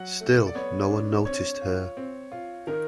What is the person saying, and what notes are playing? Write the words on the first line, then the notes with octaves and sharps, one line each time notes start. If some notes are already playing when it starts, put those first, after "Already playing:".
Still no one noticed her.
Already playing: F#3 F#5
A3
D5
B3 C#5
D4
C4 C#5
F4
C4
F4
D#3 A#4